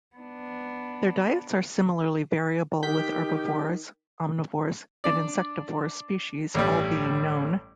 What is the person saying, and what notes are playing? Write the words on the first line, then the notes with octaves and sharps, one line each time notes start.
Their diets are similarly variable, with herbivorous, omnivorous, and insectivorous species all being known.
B3 D4
D#3 G4 G6 B6
D4 D5
A1 G2 G3